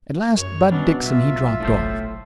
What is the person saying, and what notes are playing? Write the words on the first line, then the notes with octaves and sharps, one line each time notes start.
At last Bud Dixon he dropped off.
F#2 C#5
B2 F#3 G3 C#4 D4
B1 F4 E5
F#1 A2 A4 C5